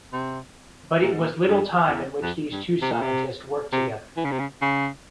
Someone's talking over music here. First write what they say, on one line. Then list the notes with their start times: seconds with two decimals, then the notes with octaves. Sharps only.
But it was little time in which these two scientists worked together.
0.13 C3
1.02 A#2
1.11 G#2
1.20 A#2
1.47 G2
1.87 F2
1.92 E2
2.22 F2
2.52 G2
2.82 C3
2.92 A#2
3.02 C3
3.72 C3
4.17 E3
4.25 C#3
4.32 C3
4.39 C#3
4.62 C#3